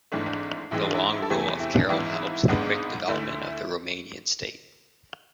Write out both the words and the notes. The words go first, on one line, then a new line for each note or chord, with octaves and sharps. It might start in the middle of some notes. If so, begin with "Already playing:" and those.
The long rule of Carol helped the quick development of the Romanian state.
G#1 G#2 E3 A3 D4
D4
A1 G#2 E3 G#3 E4
D4
E4
A4
E2 C3 E3 A3 C4 G#4
E4
D4
G#1 G#2 E3 B3 E4
G#1 G#2 G#3 B3 D4
D2 D3 A3 E4